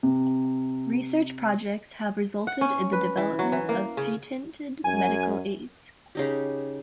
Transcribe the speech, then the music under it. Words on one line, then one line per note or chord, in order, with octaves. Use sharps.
Research projects have resulted in the development of patented medical aids.
C3
F#5
C#4
B4
E3
F#3
E3
A#3
C#3
F#2 G#5
C#3 D#4 G4